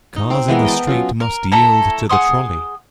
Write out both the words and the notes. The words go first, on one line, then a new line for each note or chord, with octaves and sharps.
Cars in the street must yield to the trolley.
D#4
C4 D6
E3 G#3 B3 A#4
D#5 G5 A5
F#3 C#4 F4
A#4
A3 E4 A4 A#5
G#4 F#5 C6 D#6